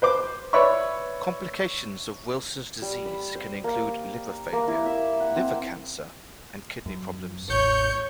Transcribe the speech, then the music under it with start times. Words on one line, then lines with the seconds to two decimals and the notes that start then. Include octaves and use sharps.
Complications of Wilson's disease can include liver failure, liver cancer, and kidney problems.
0.02 B4 C5 D6
0.53 B4 C#5 D5 E5 B5 C#6
2.82 G3
3.06 B5
3.35 C5
3.64 A#3
4.53 A#3
4.68 E4
4.86 E5
5.20 F#5
5.36 C4
6.86 F#2
7.50 A1 E2 C#5 G6 C#7